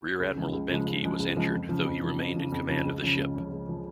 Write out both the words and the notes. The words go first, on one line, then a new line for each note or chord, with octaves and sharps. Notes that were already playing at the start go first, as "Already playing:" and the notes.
Rear Admiral Behncke was injured, though he remained in command of the ship.
C#2
C#3 F3 G#3
C#2
C#3 F3 G#3
C#2
C#3 F3 G#3
C#2
C#3 F3 G#3
F2
C#3 F3
F2
C#3 F3
F2
C#3 F3
F2
C#3 F3
C#2
C#3 F3 C#4
C#2
C#3 F3 C#4
C#2
C#3 F3 C#4